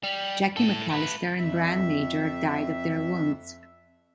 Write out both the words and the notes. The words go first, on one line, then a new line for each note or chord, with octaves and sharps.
Jackie McAllister and Brian Major died of their wounds.
G3
A2 A4
A3 B4
F2 E5